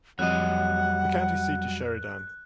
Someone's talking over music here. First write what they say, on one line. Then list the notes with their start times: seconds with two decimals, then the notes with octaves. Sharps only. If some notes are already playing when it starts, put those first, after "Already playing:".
The county seat is Sheridan.
0.19 F2 F#3 G3 D#5 F#5 F#6